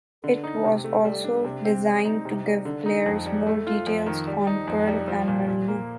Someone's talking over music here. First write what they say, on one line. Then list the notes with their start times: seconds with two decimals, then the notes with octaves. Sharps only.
It was also designed to give players more details on Pearl and Marina.
0.24 D3
0.44 D#4
0.64 C3
0.84 A3
1.05 G3
1.24 D4
1.44 C3
1.65 C4
1.86 G3
2.05 D#4
2.25 C3
2.45 G3
2.65 D3
2.86 D#4
3.06 F2
3.26 G3
3.47 A3
3.67 F4
3.87 F2
4.06 D#3
4.27 G3
4.47 D#4
4.67 F2
4.87 G3
5.08 F3
5.28 A#2
5.48 A#2
5.68 A#3